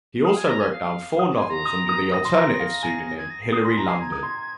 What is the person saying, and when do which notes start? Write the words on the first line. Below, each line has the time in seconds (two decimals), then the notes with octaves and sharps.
He also wrote four novels under the alternative pseudonym Hilary Landon.
0.25 F5 D#6
0.37 G#5
0.49 A#5
0.60 G#5
0.72 F5
1.19 D#6
1.35 G#5
1.42 C6
1.50 A#5
1.65 D#6
1.89 D#6
2.12 D#6 A#6
2.25 C6
2.35 A#5
2.60 F5
2.83 G#5
3.07 A#6
3.18 G#6
3.30 A#6
3.42 C7
3.53 D#6 C7
3.65 C6 A#6
3.76 A#5 A#6
3.88 G#5 C7
4.00 A#5 G#6
4.12 D#6
4.23 C6
4.35 A#5